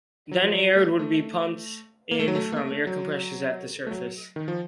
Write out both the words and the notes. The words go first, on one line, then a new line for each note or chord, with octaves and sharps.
Then air would be pumped in from air compressors at the surface.
F#3
F3
F#3
A3
A3
A#3
A3
F#3
A3
A#3
A3
A3
F#3
A3
F#3
D#3
F3